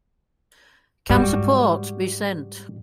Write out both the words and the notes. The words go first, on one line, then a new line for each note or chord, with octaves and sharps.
Can support be sent?
G#2 G3 F#4